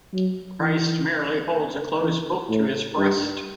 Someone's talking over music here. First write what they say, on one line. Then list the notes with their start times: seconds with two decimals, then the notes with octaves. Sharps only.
Christ merely holds a closed book to his breast.
0.14 F#3
0.60 E3
2.03 E3
2.50 A2
2.97 G2